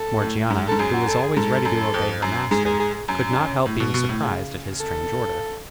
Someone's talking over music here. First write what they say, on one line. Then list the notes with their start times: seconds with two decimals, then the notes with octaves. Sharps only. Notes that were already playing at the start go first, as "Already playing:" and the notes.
Morgiana, who was always ready to obey her master, could not help being surprised at his strange order.
Already playing: A4
0.22 A2
0.50 G#2
0.68 G#2 A4
0.79 F#2 G#4
0.94 F#4
1.08 A4
1.22 G#4
1.37 G#2 A4
1.65 F#2
1.94 F2
2.22 F#2
2.51 G#2 G#4
2.65 G#4
2.79 G#4
2.94 G#4
3.08 F#2
3.30 D4
3.37 C#4
3.66 A2
3.80 B2
3.94 B2
4.09 A2
4.23 C#3
4.80 A4